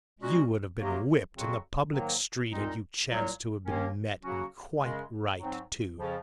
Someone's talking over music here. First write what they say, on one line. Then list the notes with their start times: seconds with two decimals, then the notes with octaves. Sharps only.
You would have been whipped in the public street had you chanced to have been met, and quite right, too.
0.20 A#2 G#3 C#4 F#4
0.78 C3 F#3 A#3
1.34 F2 C#3 F#3 C4 F#4
1.92 G#2 D#3 F#3 A#3
2.50 C2 A#2 G#3 C4 D#4
3.07 C2 A#2 F#3 A#3
3.65 D#2 D#3 A#3 C#4
4.23 C#3 F#3 A#3 C#4 F#4
4.80 F#2 C#3 G#3
5.39 G#2 F#3 C4
5.95 F2 C#3 F3